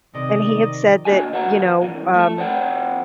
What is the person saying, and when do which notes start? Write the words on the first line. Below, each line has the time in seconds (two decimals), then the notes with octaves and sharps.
and he had said that you know, um,
0.15 C3 D#3 D5 D#5
1.05 A#3 D4 F#4 D#5 G#5
1.33 D#3 B3 F#4 B4 F#5 A#5
1.82 E2 G2 B2 E3
2.15 A3 A4
2.37 F2 C5 D5 F#5 G5